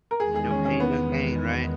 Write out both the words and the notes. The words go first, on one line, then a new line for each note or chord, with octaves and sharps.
No pain, no gain, right?
A#4
E2 D#3 G#3 G#4
G#4
C#4
C#4
B3